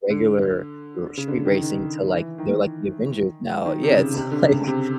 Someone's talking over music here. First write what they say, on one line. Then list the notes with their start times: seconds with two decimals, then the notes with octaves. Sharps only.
regular r street racing to like, they're like the Avengers now Yeah, it's like
0.10 D3
1.17 C#3
1.28 D3
1.45 D#3
1.63 D#3
2.13 E3
2.38 D#3
3.65 D#3
3.83 C3
3.91 C#3
4.16 C3
4.32 D3
4.43 C#3
4.67 C3